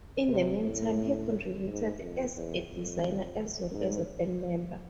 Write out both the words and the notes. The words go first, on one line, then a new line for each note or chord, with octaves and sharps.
In the meantime, he contributed as a designer as well as a band member.
C3
A2
G#2
F2
E2
F2
G#2